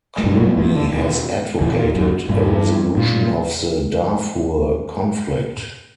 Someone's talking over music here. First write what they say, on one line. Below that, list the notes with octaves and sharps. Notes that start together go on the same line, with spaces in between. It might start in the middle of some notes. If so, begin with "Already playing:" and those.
Clooney has advocated a resolution of the Darfur conflict.
G#3
G2 B2 G3
F#2 F#3
E2 E3
D3
B2 D#3
E2 A#2 E3
F#2 F#3
G2 A#2 G3
A#2